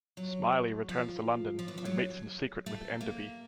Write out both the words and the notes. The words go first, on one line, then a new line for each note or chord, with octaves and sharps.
Smiley returns to London and meets in secret with Enderby.
F#3
F3
F3
E3
F3
F#3
A3
A#3